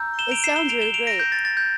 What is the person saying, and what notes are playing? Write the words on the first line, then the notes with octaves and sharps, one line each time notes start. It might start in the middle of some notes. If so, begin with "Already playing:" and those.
It sounds really great.
Already playing: A#5 E6 G6
E7 G7
D7 F7
C7 E7
E7 G7
D7 F7
E7 G7
D7 F7
A#6 D7
G6
A6
A6
G6